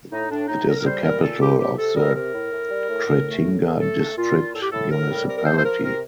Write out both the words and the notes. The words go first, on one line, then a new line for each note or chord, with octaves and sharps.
It is the capital of the Kretinga district municipality.
A2 D#4
A2 D4
A2 D#4
A2 A#4
A#4
G3 C5
A#2 A#4
A#2 A4
A#2 G4
C3 G4
C3 A4
G3 A#4
C3 A#4
A2
A2
G3
A2
A2
A3
A2
A2
A3 A4
A3
A#2 F4
A#2
A2 A4
G4
A2 A4
A2 A#4
G3
C3 A#4
A#4
A3 C5
C5
F3 A#4
C3 A#4